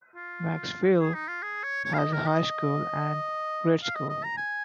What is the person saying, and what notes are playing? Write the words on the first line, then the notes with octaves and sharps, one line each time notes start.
Macksville has a high school and grade school.
F4
G#4
D#4
F4
G#4
C#5
C#5
F5
D#5
A#4
D#5
F5
D#5
D#5
A#5
G#5